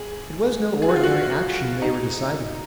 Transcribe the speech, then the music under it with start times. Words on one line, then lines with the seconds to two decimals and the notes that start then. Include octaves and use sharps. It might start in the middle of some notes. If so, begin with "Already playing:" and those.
It was no ordinary action they were deciding.
Already playing: G#4
0.82 G#4
0.89 F#4
0.96 F4
1.03 F#4
1.82 D#4